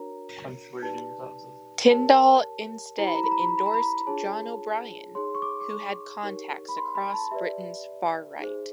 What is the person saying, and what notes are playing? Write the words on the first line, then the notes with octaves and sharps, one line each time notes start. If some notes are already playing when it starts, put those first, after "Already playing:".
Tyndall instead endorsed John O'Brien, who had contacts across Britain's far-right.
Already playing: D4 F#4 A#4 C#5 A#5
D#4 G4 B4 D5 A5
G4 A#4 C#5 A5
E4 G4 C5 A#5
B5
A#5
B5
A#5
B5
A#5
B5
A#5
B5
A#5
D4 F4 G#4 C#5 A5
D#4 G#4 C#5 C6
C#6
D6
D6
C#6
D#4 G4 A#4 C#5
B5
C6
B5
A5
G4 B4 D5 E5
D#4 G#4 C5